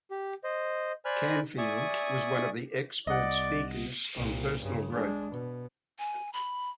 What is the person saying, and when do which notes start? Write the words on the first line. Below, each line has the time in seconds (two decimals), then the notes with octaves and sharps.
Canfield was one of the expert speakers on personal growth.
0.11 G4
0.44 C5 D#5
1.05 C5 D5 G#5 B5 F6 F#6
1.58 D5 E5 G#5 C#6 D#6
3.07 C2 D5 D#5 F#5
4.16 C2 A#2
4.61 G2 C#3
4.91 G#3 D4
5.31 B2
5.99 G#5
6.33 B5